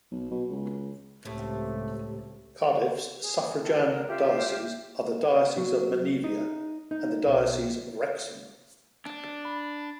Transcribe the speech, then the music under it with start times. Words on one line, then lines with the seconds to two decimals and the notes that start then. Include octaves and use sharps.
Cardiff's suffragan dioceses are the Diocese of Menevia and the Diocese of Wrexham.
0.11 B1
0.31 B2
0.50 C#2
1.25 C#2 A2 C3 A3 G4
3.22 G#4
3.61 E4 A4
3.87 A#4
4.08 F4 G4 E5
5.57 F#3
6.24 D#4
6.91 D#4
7.27 B1
9.06 D4
9.45 B5